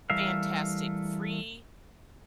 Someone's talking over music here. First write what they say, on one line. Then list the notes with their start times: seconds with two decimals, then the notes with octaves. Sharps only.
Fantastic. Free
0.10 E3 G3 A3 A#4 E5 F5